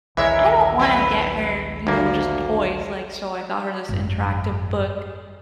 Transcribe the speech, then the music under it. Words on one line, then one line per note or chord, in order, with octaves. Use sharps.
"I don't wanna get her, you know, just toys, like" so, I got her this interactive book
A#1 D#2 E3 G#3 A#4 C#5 E5
F#3 B4
D2 D3 A#3
G#1 F#2